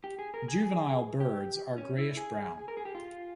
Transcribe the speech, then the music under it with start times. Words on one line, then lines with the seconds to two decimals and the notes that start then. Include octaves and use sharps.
Juvenile birds are greyish brown.
0.04 G4
0.19 G#4
0.34 A#4
0.48 G#4
0.63 G#4
1.20 G4
1.78 C#4
1.98 E4
2.17 G#4
2.68 A#4
2.77 G#4
2.85 G4
2.95 F4